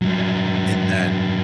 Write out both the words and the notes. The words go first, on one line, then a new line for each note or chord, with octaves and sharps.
and that,
G2 F#3